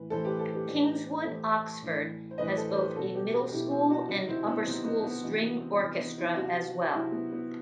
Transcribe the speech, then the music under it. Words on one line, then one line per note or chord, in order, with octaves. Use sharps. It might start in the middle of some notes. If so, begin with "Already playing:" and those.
Kingswood Oxford has both a Middle School and Upper School string orchestra as well.
Already playing: A2 E3 B4
A2 E3 A4 C5
G4 B4
A4 C5
G4 B4
A2 E3
A2 E3 A4 C5
A2 E3
C5
A2 E3 B4 D#5
A4 C5
C5
G4 B4
B2 F#3 F#4 A4
G4 B4
F#4 A4
B2 F#3 E4 G4
C4
D#4 F#4
C3 D#3 F#3 D#4 F#4
C4 E4
B3 D#4
C3 D#3 F#3 C4
B3 D#4
B3 D#4
C3 E3 D#4 F#4
B3
C4
C3 E3 C4
B3 D#4
C4 E4
C3 F#3 D#4 F#4
C3 F#3 C4 E4
B3
B3